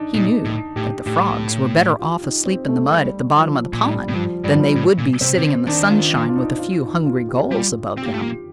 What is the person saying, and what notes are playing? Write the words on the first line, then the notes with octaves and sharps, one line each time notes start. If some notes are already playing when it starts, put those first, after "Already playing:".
He knew that the Frogs were better off asleep in the mud at the bottom of the pond, than they would be sitting in the sunshine with a few hungry Gulls above them.
Already playing: D4 D#4
A#2 D#4
A2
A2 G4
A2 G4
F4
D#4
C4
A3
G3
F3
A#2
A2 G3
A2
G2 F3
G2 G3
F3
G3
A2
A#2
C3 C4
C3
D3
D#3 D4
F4
F4
F4
D#4
F4
D#4
F4
G4
G3 F4
C4
A#3 G4
A3 F4
A#3